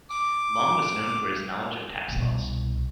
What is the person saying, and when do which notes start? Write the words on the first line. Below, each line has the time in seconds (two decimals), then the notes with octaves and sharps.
Long was known for his knowledge of tax laws.
0.10 D6
2.08 C2 B2